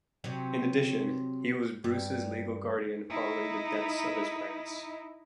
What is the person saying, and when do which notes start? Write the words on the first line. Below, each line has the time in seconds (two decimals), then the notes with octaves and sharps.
In addition, he was Bruce's legal guardian following the deaths of his parents.
0.24 C3 F#3
1.84 G2
3.10 D#4 E4